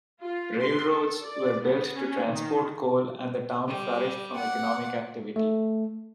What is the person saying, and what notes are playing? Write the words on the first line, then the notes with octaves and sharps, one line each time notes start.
Railroads were built to transport the coal and the town flourished from economic activity.
F4
C6
A4
D5
B3
C#4
D#3
G3
D5 F#5
A3